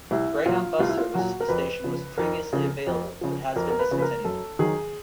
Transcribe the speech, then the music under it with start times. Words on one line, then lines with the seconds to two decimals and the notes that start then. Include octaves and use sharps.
Greyhound Bus service to the station was previously available but has been discontinued.
0.11 C2 E4
0.45 A#2 F#3 F4
0.80 C2 F4
0.89 E4
0.97 F4
1.14 A#2 F#3 F#4
1.40 A#4
1.48 F2 B4
1.84 C#3 F3
2.18 F2 A#4
2.53 C#3 F3
2.87 F2
3.21 C#3 F3
3.56 F2 A#4
3.70 A#4
3.79 B4
3.91 C#3 F3
3.98 B4
4.02 A#4
4.24 F#2 A4
4.59 D#3 F#3 G#4